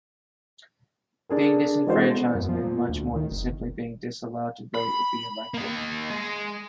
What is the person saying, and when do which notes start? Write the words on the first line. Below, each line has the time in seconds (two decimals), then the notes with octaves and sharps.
Being disenfranchised meant much more than simply being disallowed to vote or be elected.
1.29 D4 G#4 A#4
1.86 E3 G#3 C#4 F#4 A4 C5
2.15 B3
2.35 F#2
2.49 F3
2.64 A#2
2.89 D2
3.16 D#3
3.31 F#1
4.74 B5
5.54 A#3 D#5
6.10 G#3